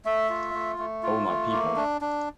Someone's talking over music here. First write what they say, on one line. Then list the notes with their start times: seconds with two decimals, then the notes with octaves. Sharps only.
O my people!
0.05 A3 E5
0.30 F4
0.54 A3
0.79 A3
1.03 F4
1.27 A3
1.52 A#3
1.77 D4
2.01 D4